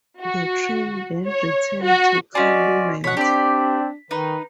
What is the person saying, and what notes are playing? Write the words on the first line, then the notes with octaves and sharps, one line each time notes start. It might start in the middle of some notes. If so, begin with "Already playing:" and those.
The train then returned to Calumet.
F#4
C#5
F#4
C4 C#4 F#4 D5 D#5 G#5
B2 C#5 F#5 B6
C4 D4 G4 D5
D#3 D#4 B4